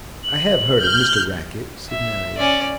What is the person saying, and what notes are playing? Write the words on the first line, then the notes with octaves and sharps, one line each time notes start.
'I have heard of Mr Rackett,' said Marian.
F#7
F6 G6
E5
C#4 D5